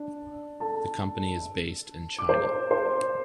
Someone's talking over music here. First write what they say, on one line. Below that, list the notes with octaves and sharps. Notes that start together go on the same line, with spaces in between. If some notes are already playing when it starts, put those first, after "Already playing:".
The company is based in China.
Already playing: D4 D5
A4 A5
D6
C5 C6
C5 C6